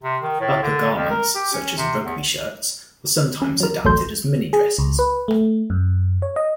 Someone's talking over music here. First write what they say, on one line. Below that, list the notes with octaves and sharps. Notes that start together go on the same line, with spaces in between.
Upper garments, such as rugby shirts, were sometimes adapted as mini-dresses.
C3
D#3
A2
D3
F2
A#4
G4
C#4
C3
E2
C#4
F#3 A#4
A1 D2 F#3 A4 C6 G6
G#4
C#2
B4
A3
F#2
C#5
D#5